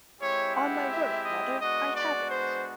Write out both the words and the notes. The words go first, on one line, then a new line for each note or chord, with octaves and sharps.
On my word, mother, I haven't!
G#3 C4 E4 G4 C#5
F#5
E5
D#5
G#3 B3 D4 F#4 D#5
D5
C5